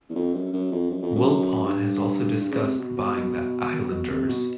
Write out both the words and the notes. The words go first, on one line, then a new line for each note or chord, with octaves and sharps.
Wilpon has also discussed buying the Islanders.
E2
F2
F#2
F#2
F2
F#2
F2
F#2
G2
G2
C#3
C3
B2
B2
B2
B2
C3
B2